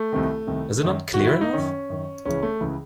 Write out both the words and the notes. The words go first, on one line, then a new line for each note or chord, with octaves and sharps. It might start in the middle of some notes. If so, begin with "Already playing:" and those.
Is it not clear enough?
Already playing: A3
C2 C3 D#3
C2 C3 D#3
F#2 D#3
F#4
F#2 D#3
E4
D#4
F#2 D#3 C#4
F#2 D#3
C#2 C#3 E3 C#4
A3
C#2 C#3 E3